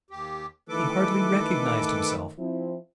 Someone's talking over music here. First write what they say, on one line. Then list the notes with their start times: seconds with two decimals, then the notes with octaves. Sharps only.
He hardly recognized himself.
0.11 D#2 G4
0.69 D#3 E3 A3 A4 B4 D6
2.38 F3 C4 E4